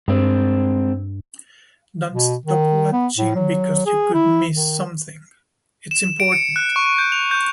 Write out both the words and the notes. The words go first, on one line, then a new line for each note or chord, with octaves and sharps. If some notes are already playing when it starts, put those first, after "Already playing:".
Don’t stop watching because you could miss something. It’s important.
G2 G#3 C4
B2
D#3
B3
A2
F#3
G#4
E4
D#3
E7
D7
C#7
F#6
C#6
G6
F7
G6